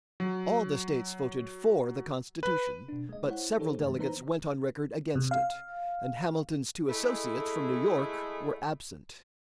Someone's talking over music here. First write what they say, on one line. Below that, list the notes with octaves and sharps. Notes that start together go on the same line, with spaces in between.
All the states voted for the Constitution, but several delegates went on record against it, and Hamilton's two associates from New York were absent.
F#3
B4
B2 D4
G#3 D#5
E4 C5 C#5 F#5
E3 D#4 G4 A4 C5 C#5
G2 D#3 G#3 A3
E3 B3 D#4 B4 C5 A#5
C3
F5
G#3 A3 E4 G#4 A4